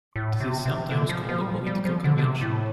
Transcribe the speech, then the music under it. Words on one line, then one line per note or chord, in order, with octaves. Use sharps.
This is sometimes called a political convention.
A2
C3
C3
D3
F3
F3
G3
F3
G3
F3
D3
D3
C3
A2